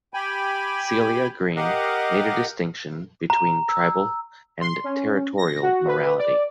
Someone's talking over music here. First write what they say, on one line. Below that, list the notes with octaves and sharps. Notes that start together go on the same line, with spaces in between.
Celia Green made a distinction between tribal and territorial morality.
G4 G5 G#5 B5
G4 A#4 D#5 F5 F#5
A#5
E6
C6
C#4
A#6
F#4
B4
D5